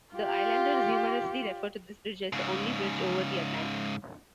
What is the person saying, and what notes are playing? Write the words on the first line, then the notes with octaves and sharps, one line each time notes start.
The islanders humorously refer to this bridge as the only bridge over the Atlantic.
F4 G4
G#2 C#3